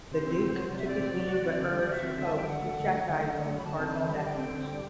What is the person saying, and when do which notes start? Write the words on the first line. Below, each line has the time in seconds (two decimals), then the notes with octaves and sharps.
The Duke took his leave but urged the Pope to chastise both Cardinal-nephews.
0.11 C3 C5
0.26 C4
0.40 C3
0.55 F#3
0.70 C3 D5
0.78 E5
0.85 C4 D5
1.00 C3
1.14 F#3
1.29 F#4
1.44 C4
1.59 D3
1.73 G3
1.78 D5
1.88 F#4 E5
2.03 C4
2.17 D3
2.24 A5
2.32 G3 G5
2.47 D3 F#5
2.62 A3
2.77 D3
2.91 F#3
3.06 D3
3.20 A3
3.35 D3
3.50 F#3
3.57 B5
3.65 D3 A5
3.79 C4
3.94 D3
4.06 G3 B5
4.15 A5
4.23 D3 G5
4.38 C4
4.53 D3
4.67 G3